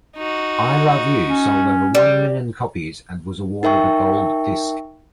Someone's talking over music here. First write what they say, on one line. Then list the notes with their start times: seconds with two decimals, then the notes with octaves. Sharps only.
I Love You, sold over one million copies, and was awarded a gold disc.
0.17 D#4 F#4
1.27 C#4
1.95 G3
3.63 D#4 A#4 E5 G5 C#6